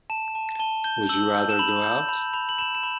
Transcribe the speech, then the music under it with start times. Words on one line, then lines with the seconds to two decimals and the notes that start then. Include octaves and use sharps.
Would you rather go out?
0.10 A5 E7
0.35 A5
0.59 A5 G7
0.84 G6 G7
1.09 E6 F#7
1.35 G6
1.49 E7
1.59 B5 F#7
1.84 G6
2.09 B5
2.33 B5
2.49 F#7
2.58 B5 E7
2.75 E7
2.83 B5